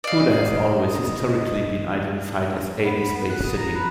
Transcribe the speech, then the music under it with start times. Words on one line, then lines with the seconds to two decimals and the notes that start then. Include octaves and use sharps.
Houta has always historically been identified as Aden's base city.
0.04 D5 D#5 F5
2.84 B3
2.97 B5
3.14 B3
3.30 F#6
3.44 D#6
3.57 A#5
3.75 B4